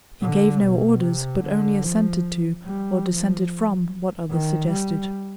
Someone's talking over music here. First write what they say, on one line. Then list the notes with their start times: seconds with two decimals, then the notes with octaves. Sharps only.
He gave no orders, but only assented to or dissented from what others suggested.
0.22 D3
0.62 B2
1.03 C3
1.44 D3
1.84 F3
2.66 G3
3.07 F3
4.30 D#3
4.70 G3